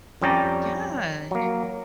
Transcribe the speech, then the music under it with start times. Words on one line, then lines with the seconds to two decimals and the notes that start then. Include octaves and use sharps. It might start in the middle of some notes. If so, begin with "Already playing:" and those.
Yeah, you're
0.22 F2 G3 C#4 G4 D5 A#5
1.31 F#3 A#3